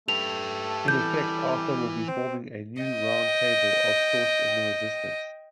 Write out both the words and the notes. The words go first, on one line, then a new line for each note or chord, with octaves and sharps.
In effect, "Arthur" will be forming a new "roundtable" of sorts in the resistance.
A3 G4 A4 B4 F7
E3 G3 E4 G6
C4
D#5 G5